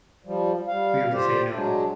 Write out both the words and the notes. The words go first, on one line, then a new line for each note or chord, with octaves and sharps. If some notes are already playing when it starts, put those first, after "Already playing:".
to be able to say no,
F3 G3
G3 F5
F4 G4 C5 D5
F#3 G#3 D4